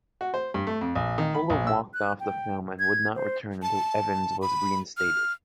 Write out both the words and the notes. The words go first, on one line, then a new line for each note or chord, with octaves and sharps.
Fuller walked off the film and would not return until Evans was reinstated.
F#4
C5
G2
A3
F2
A#1
D#3
B5
A#1
E6
F#6
G5
G#6
C5
A5
B5
F6